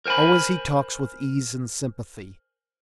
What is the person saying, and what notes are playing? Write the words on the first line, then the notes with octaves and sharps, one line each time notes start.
Always he talks with ease and sympathy.
A#4 C5 G5 G#5 B5